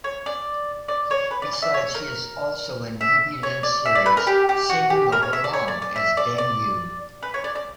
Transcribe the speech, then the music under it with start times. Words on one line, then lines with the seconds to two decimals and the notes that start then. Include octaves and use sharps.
Besides, he is also in Ruby Lin's series "Singing All Along" as Deng Yu.
0.04 C#5
0.26 D5
0.88 D5
1.11 C#5
1.31 B4
1.42 D5
1.53 D5
1.62 E5
1.74 C#5
1.95 A#4
3.01 E5
3.43 C#5
3.63 D5
3.86 E5
3.95 D5
4.06 B4
4.17 A#4
4.27 G4
4.49 G4
4.70 F#4
4.90 G4
5.12 A#4
5.22 C#5
5.33 E5
5.44 D5
5.53 C#5
5.68 D5
5.82 D5
5.96 E5
6.17 D5
6.38 D5
7.23 B4
7.34 C#5
7.44 D5
7.55 D5